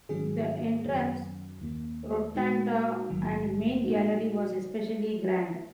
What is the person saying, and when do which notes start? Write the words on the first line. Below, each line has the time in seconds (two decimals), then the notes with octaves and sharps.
The entrance rotunda and main gallery was especially grand.
0.09 G#2 D#3 F#3 C#4 G#4
0.85 F#2 D#3 F#3 C#4
1.59 D#2 D#3 A#3
2.34 A#2 G#3 D#4 F#4
3.10 A#1 G#2 D#3 F#3
3.84 A#2 A#3 D#4 F#4